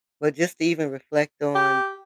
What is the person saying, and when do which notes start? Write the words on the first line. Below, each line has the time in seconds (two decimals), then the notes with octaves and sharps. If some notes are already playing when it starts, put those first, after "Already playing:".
But just to even reflect on,
1.55 G4